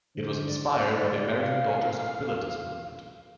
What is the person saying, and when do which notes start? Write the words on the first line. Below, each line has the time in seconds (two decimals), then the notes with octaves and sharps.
It was inspired by the American Daughters of Bilitis movement.
0.16 D3 C5
0.46 D5
1.37 C3 F5